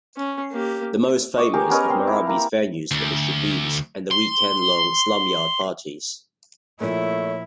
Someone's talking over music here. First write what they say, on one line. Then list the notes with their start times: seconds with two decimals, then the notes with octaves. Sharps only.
The most famous of marabi's venues were the shebeens, and the weekend-long slumyard parties.
0.17 C#4
0.52 A#3 G4
1.36 D#5 C#6 D6
1.54 G4 G#4 A#4
1.70 B3 C#4 A#4 D#5
1.90 C4 C5
2.07 E4
2.27 A#3 A#5
2.91 D2
4.11 C6
6.81 A#2 F3 A3 E4 C#5